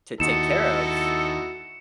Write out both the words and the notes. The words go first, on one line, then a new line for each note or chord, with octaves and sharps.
to take care of
D#2 D#4 E4 F#4 A4 C#7 E7